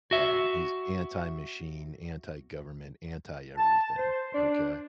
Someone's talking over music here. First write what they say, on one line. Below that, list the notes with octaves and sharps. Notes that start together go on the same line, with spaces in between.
um, he's anti-machine, anti-government, anti-everything, okay?
F#4 E5
A5
C5
D4